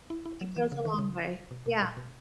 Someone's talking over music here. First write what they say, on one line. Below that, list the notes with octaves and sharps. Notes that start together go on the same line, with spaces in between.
it goes a long way, yeah.
E4
E4
F#3
E3
C#3
D#3
C#3
B2
B2
A#2
B2